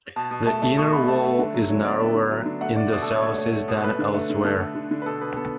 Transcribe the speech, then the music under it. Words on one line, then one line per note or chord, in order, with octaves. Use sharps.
The inner wall is narrower in the southeast than elsewhere.
B2 A5
B2
A3 A5
A3 A5
B2 C#6
B2 B5
A3 A5
A3
D3
F#3
D3 C#5
B3 D5
B3 E5
D3
F#3
D3
A3 F#5
A3 D5
B2 D5
B2 A4
C#5
A3 C#5
A3
A3
B2
A3 B4
D3
A3
D3
D3 A4
A3
D3
D3
B4
B2 A4
B2 B4
B3 A4